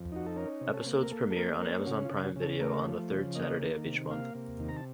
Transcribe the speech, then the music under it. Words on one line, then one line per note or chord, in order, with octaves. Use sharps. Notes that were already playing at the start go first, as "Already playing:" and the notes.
Episodes premiere on Amazon Prime Video on the third Saturday of each month.
Already playing: F2
D#4 F#4
A4
C#4 A#4
C3
A4
A#3
A#4
A#3 A4
A4
A#3 A#4
C#4 A#4
C#3 F#4
F4
C#3
F#4
C#3
A4
A3 A#4
F3
C#3
A#3 D#5
D#3
C3
A#3 F5
C3
D#3
A#5
A5